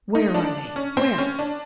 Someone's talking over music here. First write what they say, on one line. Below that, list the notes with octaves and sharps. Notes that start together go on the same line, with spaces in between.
Where are they? Where?
D#4
D4
C#4
C4
C#4
D4